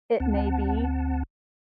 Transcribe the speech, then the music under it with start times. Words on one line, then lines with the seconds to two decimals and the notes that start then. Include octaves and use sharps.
it may be,
0.20 D2 C4 F#5 A5